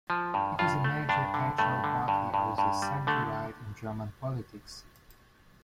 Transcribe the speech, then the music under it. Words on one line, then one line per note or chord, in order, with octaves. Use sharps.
It is the major catch-all party of the centre-right in German politics.
F3
G2
G2 F4
A3
G2 D4
D3
G2 A3
D3
G2
G2
G2
G3
D3 A3